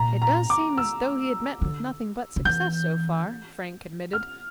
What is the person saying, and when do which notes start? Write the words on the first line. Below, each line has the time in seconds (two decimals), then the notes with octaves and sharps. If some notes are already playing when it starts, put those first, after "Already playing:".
"It does seem as though he had met with nothing but success, so far," Frank admitted.
Already playing: A#2 A#5
0.22 A#5
0.50 D6
0.78 E6
1.62 D3
2.36 D3
2.45 E3 G6
4.13 F6